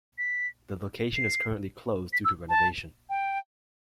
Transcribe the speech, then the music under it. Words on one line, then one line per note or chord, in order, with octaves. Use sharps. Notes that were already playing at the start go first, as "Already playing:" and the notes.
The location is currently closed due to renovation.
B6
C7
B6
E6
A5
G5